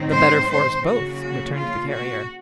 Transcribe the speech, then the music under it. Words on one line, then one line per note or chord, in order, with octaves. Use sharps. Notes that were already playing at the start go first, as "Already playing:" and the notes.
"The better for us both," returned the Carrier.
Already playing: G#2 D#3 F#3 C4
C5
C5
C#3 F#3 A#3 F#4
F#4
F4
F#4